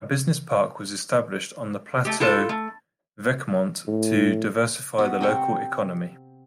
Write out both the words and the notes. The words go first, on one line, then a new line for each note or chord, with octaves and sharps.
A business park was established on the plateau Vecmont to diversify the local economy.
A3 G4
E4 F4 A4
A3
A2
B3 F#4
C3 C4 G5 C#6